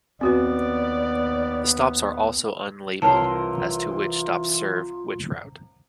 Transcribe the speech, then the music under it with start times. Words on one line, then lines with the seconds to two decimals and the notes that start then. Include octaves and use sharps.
The stops are also unlabelled as to which stop serves which route.
0.21 D#2 B3 C4 F#4 B4 D5
3.02 C2 E3 F4 A#4 C#5 A5 C6